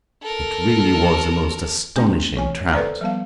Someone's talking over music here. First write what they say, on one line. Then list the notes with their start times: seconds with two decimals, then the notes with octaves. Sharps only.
It really was a most astonishing trout.
0.22 A4 A#4
1.96 A3 B3 C4 D4 G5
2.37 E3 G#5
2.73 A4 B4 C5 D5 A#5
3.01 F3 G3 B3 F5